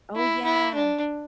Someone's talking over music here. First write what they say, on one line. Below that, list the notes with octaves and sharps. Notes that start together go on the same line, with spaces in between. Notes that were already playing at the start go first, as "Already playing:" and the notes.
Oh, yeah.
E4
E4
D4